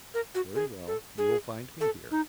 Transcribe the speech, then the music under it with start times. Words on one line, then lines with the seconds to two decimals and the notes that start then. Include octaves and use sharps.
"Very well; you will find me here."
0.14 A#4
0.35 F#4
0.55 G#4
0.87 A4
1.18 G#4
1.81 A4
2.11 D#4